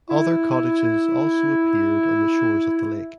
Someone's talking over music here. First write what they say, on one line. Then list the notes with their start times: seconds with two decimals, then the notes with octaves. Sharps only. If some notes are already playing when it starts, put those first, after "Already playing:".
Other cottages also appeared on the shores of the lake.
0.09 E4